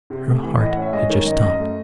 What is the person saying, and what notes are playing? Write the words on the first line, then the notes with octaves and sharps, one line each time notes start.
Her heart had just stopped.
C3
A3
E3
A2 D#5
F#5
C#4
E5
G#3 D#5
D#3 C#5
F#2 D#5
F#2 D#5
A3